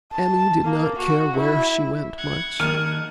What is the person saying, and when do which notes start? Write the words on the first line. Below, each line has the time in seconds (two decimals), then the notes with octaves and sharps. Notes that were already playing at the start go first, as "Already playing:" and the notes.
Emmy did not care where she went much.
0.12 A5
0.64 A#3
0.98 F#4
1.36 E4
2.17 F#5 G#6
2.59 D#3 A5 F6 D#7